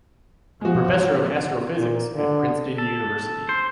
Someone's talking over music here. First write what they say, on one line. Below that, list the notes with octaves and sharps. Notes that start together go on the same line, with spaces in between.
Professor of Astrophysics at Princeton University.
F3 G#3 F#4
A#2
D3
A4
C5